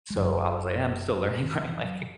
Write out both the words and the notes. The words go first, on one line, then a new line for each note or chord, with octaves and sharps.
so I was like, "I'm still learning, right?" Like
G#3
F#1 F#2 C#3 F#3
D#3
F#3
E3
F#3